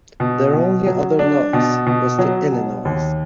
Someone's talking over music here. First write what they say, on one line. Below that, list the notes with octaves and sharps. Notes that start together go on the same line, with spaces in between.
Their only other loss was to Illinois.
B2
B2
F#3
D4
B2
B2
F#3
B2
D#2